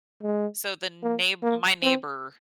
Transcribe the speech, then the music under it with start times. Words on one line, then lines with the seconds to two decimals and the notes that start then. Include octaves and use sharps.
so, the neigh my neighbor
0.22 G#3
1.02 A#3
1.43 A#3
1.83 C4